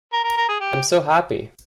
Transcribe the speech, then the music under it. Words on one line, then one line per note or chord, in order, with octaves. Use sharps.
I’m so happy.
A#4
A#4
A#4
G#4
G4